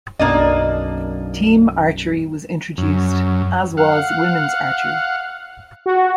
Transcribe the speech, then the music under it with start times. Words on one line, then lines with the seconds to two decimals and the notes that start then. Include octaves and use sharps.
Team archery was introduced, as was women's archery.
0.19 B1 F#2 A#3 D4 D#5
2.78 F#2
3.77 F5 F#5
5.86 F#4